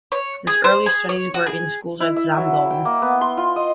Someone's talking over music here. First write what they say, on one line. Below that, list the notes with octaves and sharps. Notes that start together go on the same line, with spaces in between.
His early studies were in schools at Zaandam.
C#5
G#4
C5
G#4
C#5
F#4
G#4
E4
E5
F#3
G5
A#3
B3
C6
F4
D#5